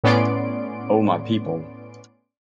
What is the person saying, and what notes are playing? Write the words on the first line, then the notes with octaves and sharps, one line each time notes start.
O my people!
A2 B3 C#4 D5 C6 D7